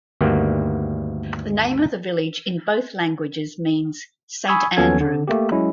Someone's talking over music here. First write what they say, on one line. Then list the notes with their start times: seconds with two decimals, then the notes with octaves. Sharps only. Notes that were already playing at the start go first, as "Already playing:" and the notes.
The name of the village in both languages means "Saint Andrew".
0.21 D2 G2 D#3 G3 A#3 B3
4.48 G#5 B5 C#6 D#6 E6 G#6
4.77 D#2 F#3 B3 C#4 A4 G#6
5.00 D3
5.28 A3 A#3 G4
5.52 F#3 G#3 C#4 E4